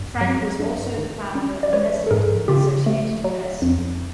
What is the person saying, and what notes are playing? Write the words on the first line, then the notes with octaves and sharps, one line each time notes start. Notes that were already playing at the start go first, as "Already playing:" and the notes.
Frank was also the founder and president of the Associated Press.
Already playing: G2
F#3
G2
D#3
C#4
D5
G#3 B4 C#5
A4
G#2 G#4 A#4
C#3 F4 G4
A3
F#3
F2